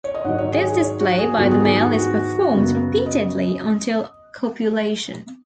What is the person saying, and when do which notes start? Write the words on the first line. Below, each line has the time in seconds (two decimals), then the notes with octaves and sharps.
This display by the male is performed repeatedly until copulation.
0.04 C#5
0.15 D#5
0.24 G#2 D#3 F#3 F#5
0.38 C#5
0.53 G#4
0.66 G#4
0.80 C#5
1.00 F#4
1.18 G#4
1.38 G#2 D#3 F#3 B3 F#4
1.51 G#4
1.65 G#4
1.80 F#4
1.93 F#4
2.50 F#2 C#3 F#3 B3
3.06 D#5